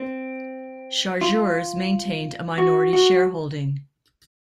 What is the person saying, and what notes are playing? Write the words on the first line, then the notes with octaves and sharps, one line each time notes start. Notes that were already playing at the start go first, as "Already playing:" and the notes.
Chargeurs maintained a minority shareholding.
Already playing: C4
F4
F#4
F#4